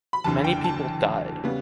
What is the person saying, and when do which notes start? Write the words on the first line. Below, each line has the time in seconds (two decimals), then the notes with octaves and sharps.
Many people died.
0.13 B5
0.24 F#1 E2 D3 A5
0.44 G5
0.64 A5
1.44 C#3 G3 B3